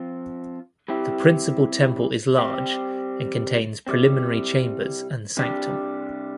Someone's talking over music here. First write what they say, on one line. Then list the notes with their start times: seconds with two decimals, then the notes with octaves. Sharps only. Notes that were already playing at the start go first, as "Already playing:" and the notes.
The principal temple is large and contains preliminary chambers and sanctum.
Already playing: F3 C4 F4
0.88 G3 C4 E4 G4
2.38 G3 C4 G4
3.87 C3 G3 C4
5.37 C3 G3 D4 G4